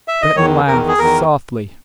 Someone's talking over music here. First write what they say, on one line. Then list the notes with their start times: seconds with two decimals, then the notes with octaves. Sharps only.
Breton laughed softly.
0.08 E5
0.22 D#5
0.35 E2 D#3 C#5
0.68 E2 D#3 A#4
0.88 G#4
0.99 E2 D#3 A#4